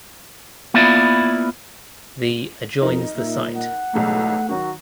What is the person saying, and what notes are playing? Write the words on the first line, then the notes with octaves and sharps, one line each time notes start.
The adjoins the site.
A#3 B3 E4 F4 D5 E5
F2 D#4 A#4
A#2 E5
F#5
B1 E2 G#2 A3
D#3 F#3 F#4